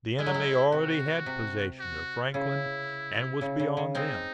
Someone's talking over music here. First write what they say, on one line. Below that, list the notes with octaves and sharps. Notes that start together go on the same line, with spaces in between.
The enemy already had possession of Franklin, and was beyond them.
G#3 E4
F#3
G#3
C3 F#4
C3
F#4
C#3 E4
C#3
C#3
C#3
G#3 C4 D#4